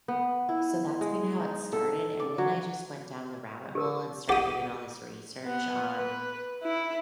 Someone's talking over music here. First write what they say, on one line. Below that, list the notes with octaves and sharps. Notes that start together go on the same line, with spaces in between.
so that's kinda how it started, and then I just went down the rabbit hole and started doing all this research on,
B3
E4
G#3
D#4
A4
D5
F#3
G4 A#4
G4 G#4 F5 F#5 D#6
B3
B4
E4